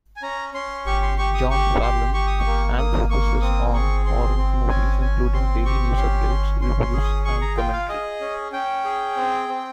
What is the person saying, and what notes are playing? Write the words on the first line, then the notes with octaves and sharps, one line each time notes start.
John Fallon, and focuses on horror movies including daily news updates, reviews, and commentary.
G#5
C#4 A#5
C#4 C6
G4 C#6
C6
G4 C#6
D#6
G4 C#6
G4 C6
G4 C#6
D#6
C#6
A#3
A#3 D#6
A#3 C#6
C4 D#6
G#4 C#6
C4 C6
C4
C#4 G#5
C#4 G#5
C4 C6
G4 C#6
C#4 C6
C#4
C#4 C6
C6
G#4
D#6
G#4 C#6
A#5
F4 G5
F5
G#4 D#5
C#4
C#4 G5
G#4
C4
C4